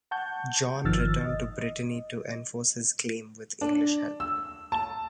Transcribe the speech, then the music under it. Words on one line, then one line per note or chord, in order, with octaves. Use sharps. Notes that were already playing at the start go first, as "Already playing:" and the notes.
John returned to Brittany to enforce his claim, with English help.
F#5 A5 C#6 G6
G1 D#3 F3 E6 F6 A6
D#5
D4
E6
A5